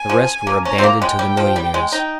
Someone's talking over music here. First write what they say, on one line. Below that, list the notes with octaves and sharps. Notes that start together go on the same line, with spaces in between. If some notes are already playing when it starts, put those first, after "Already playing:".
The rest were abandoned to the millionaires.
Already playing: G#5
F3
A#3
C#4 A#5
C4
A#3
G#3 G5
G3
F3
G3
G#3
D#4